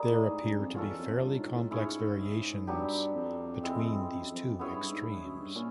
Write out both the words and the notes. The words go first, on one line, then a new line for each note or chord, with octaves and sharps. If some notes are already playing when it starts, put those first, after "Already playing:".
There appear to be fairly complex variations between these two extremes.
Already playing: G3 A#3 D#4 G#4
A2
G#2
G2
F2
E2 C#4 F4 A4
F2
G2
G#2
A2
G#2 C#4 E4 G#4 C#5
G2 F#3 B3 D4 G4
F2
G#3 C4 E4
F2
F#2
F2
F#2 B3 E4 G#4 C#5
G2
G#2
G2
F#2
G2
A#2 C#4